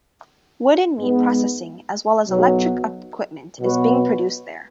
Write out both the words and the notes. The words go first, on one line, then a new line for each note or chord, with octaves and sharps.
Wood and meat processing as well as electric equipment is being produced there.
G#2 G#3 B3
B1 B2 F#3
B2 F#3 B3 F#4 B4